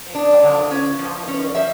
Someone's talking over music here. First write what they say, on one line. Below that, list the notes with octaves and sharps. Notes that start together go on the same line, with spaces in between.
and come out with an armadillo
D4
D3
C#4
F3
C#4
F3 E5